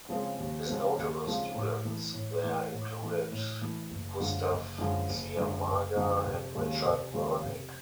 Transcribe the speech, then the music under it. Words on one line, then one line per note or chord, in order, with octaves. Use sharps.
His notable students there included Gustav Ciamaga and Richard Wernick.
C#3 F3 G#3 C4
D#2
C#3 F3 G#3 C4
D#2
C#3 F3 G#3 C4
A2
E3 A3
A2
E3 A3
A2
E3 A3
A2
E3 A3
F#1
F#2 D3 F3 G#3
F#1
F#2 D3 F3 G#3
F#1
F#2 D3 F3 G#3
F#1
F#2 D3 F3 G#3
F1
D#2 C#3 F3 G#3
F1
D#2 C#3 F3 G#3
F1